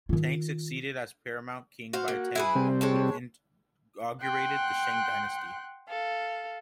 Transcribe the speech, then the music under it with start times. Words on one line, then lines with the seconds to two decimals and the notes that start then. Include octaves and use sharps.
Tang succeeded as paramount King by Tang, who inaugurated the Shang dynasty.
0.09 D#3 F4
1.93 F#4 C5 F5
2.08 A#3
2.35 E4 G#4 B4
2.55 C3 G3 C4
2.81 G#3 C#5 A5
4.22 F#5 G5 C6 F#6
5.88 A4 F5